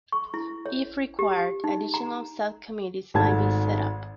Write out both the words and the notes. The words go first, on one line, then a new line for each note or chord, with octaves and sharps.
If required, additional sub-committees may be set up.
C#6
E4
C#5
G4
D#4
A#5
G#1 G#2 A3 A5 G#6